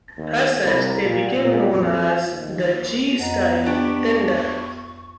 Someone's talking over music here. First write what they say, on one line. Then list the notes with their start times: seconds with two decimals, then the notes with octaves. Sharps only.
As such, they became known as the 'G' style tender.
0.18 D#2
0.64 C2
1.05 A#2
1.45 A#2
1.74 F2
2.31 D#2
3.19 F2 B3 D#5 F#5 A#5
3.66 D4 G4 C#6